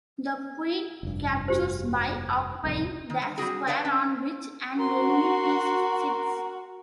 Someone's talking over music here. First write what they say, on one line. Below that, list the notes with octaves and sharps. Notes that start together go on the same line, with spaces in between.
The queen captures by occupying the square on which an enemy piece sits.
F1 G2
F#4 G4 C5
D1 C2 F2
D#3
G3
G3 C4 F#4 G#4
B4 C#5 D5 F5 A5
C#4
F#4 A#4 C6